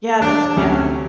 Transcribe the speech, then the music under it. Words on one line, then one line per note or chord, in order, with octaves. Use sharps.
Yeah, that's yeah.
E1 D4
D2 C3 C#4